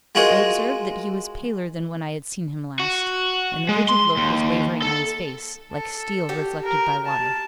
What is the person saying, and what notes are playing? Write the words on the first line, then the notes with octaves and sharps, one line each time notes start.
I observed that he was paler than when I had seen him last, and the rigid look was wavering on his face, like steel reflected by water.
G#3 F4 F#4 G#4 A#4 D#5
F#4
G#3
C6
D#2
A4
A4
F#4 G4
A#4
A5